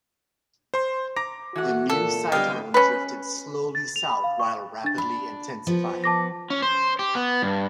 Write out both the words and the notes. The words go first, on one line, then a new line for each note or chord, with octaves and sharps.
The new cyclone drifted slowly south while rapidly intensifying.
C5 C6
A#5 D6 A#6
E3 A3 F#4 F#5
A#2 A4
D3 F#3 G3 B3 D#5 F5 G5
C#4 B4
A6
F7
B5
F5
C#6
D4 A6
D4 B5
F3 B3
A5 D6 A#6
C#4
C5
G4
B3
G2